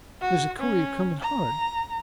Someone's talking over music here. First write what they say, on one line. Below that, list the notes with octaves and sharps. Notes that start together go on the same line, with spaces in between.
There's a courier coming--hard!
F#4
C#4
A#5